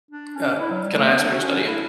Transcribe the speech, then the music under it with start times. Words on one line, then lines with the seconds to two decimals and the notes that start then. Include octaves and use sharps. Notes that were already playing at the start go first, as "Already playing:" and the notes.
Uh, can I ask what you're studying?
0.11 D4
0.35 C#4
0.59 E4
0.70 F#3
0.83 G3
0.95 A3
1.07 B3
1.19 D4
1.31 F#4
1.42 C#4
1.55 D4
1.67 E4